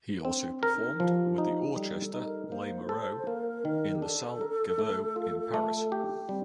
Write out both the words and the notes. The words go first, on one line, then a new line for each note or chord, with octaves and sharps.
He also performed with the Orchester Lamoureux in the Salle Gaveau in Paris.
C4 D4
D4
A#4
D#4
F3 G4
D#4
G3 A4
A4
D#4
A#4
A#4
A#3 C5
A4
A#3 A#4
D#3
G4
D4 A4
A#4
A3
F4
A3
G4
G3 C4